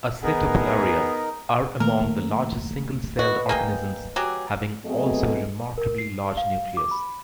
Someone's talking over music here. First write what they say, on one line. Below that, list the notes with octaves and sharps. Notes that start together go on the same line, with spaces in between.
"Acetabularia" are among the largest single-celled organisms, having also a remarkably large nucleus.
B3 D#4 G#4 A#4
D#3 A3 A#3 A#4
F#4 B4 D#5
A#3 G#4 G5
F#3 G4 G#4
F#3 A3 B3 C4 G#4 D#5
A#4
C7
F5
D6
B5